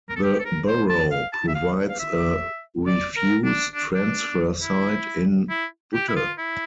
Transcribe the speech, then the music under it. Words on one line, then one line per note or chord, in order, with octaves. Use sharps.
The Borough provides a refuse transfer site in Butte.
A#4
A4
G4
A4
A#4
C5
A5
F5
A5
E5
F5
F5
E5
D5
A#4
D4
D4
D4
E4
E4
G4
E4
F4
E4